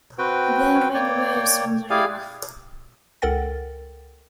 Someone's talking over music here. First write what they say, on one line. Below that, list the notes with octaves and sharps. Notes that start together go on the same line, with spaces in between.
There are many weirs on the river.
C4 F#4 B4 G5
A#3 C#5 D5 G5
E4 G4 G#4 D5 F5 G#5
C#2 A4 A#4 F#5 G5 A6